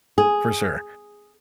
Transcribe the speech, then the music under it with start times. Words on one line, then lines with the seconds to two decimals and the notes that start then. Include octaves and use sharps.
for sure,
0.18 G#4